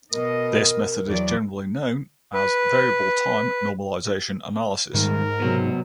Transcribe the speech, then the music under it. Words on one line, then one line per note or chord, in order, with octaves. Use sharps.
This method is generally known as Variable Time Normalization Analysis.
B2 A#4 D#5
E2 F#3 D5
B4
G#2 D#3 G3 A#4
C3 F#3 B3 F#4